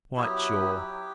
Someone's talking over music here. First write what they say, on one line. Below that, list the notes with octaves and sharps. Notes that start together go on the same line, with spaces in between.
"Quite sure."
F#3 B3 E4 G4